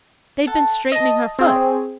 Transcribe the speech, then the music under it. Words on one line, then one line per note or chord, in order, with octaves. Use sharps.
They've been straightening her foot.
A4 F#5 A5
D#5 E5 A5
C4 G#4 C#5